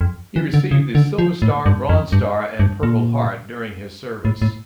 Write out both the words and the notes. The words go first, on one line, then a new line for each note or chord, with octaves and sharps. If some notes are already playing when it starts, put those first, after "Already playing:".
He received the Silver Star, Bronze Star and Purple Heart during his service.
F2
E3
D3
C#3
D3
F3
A2
G2
F2
G2
G2
A#2
A2
A2